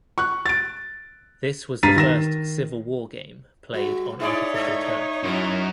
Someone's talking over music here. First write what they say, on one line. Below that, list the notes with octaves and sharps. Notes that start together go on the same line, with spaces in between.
This was the first Civil War game played on artificial turf.
C#6 F#6
A6 D7
G2 A#5 A6 B6 C7 D#7
D#3 A#6 E7
G3 F#4
D#4 E4 G#4 C#5 D5 E5
G#2 A4
F#2 E4